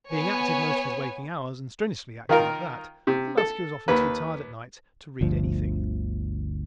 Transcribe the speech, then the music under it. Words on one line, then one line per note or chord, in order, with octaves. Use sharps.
Being active most of his waking hours, and strenuously active at that, the Muscular is often too tired at night to read anything.
B3 C#5 G#5
D#3 F4 A#4
C3
A4
D#2 B4
G1 D2 F3